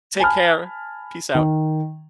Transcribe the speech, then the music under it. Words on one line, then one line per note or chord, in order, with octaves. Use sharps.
Take care, peace out.
G#5 A5 B5 F6
D#3